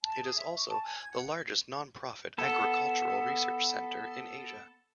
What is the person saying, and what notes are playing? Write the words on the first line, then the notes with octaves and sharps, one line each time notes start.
It is also the largest non-profit agricultural research center in Asia.
A5
G#4
E5
C#6
A5
G#5
G#6
F#5
B3 A4